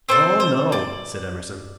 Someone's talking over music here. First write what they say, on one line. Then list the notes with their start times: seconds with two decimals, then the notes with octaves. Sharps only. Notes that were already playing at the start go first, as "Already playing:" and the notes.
"Oh no," said Emerson.
0.09 C4 A4 C5
0.40 C5
0.72 D5